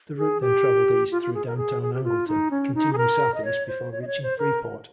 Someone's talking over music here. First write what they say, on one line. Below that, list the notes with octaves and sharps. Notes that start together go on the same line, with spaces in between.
The route then traveled east through downtown Angleton, continuing southeast before reaching Freeport.
G#4
G4
F4
F4
G#4
A#4
G#4
G#4
G4
F4
D#4
C#4
D#4
G#4
A#4
D#5
C#5
C5
C#5
D#5
C#5
C5
A#4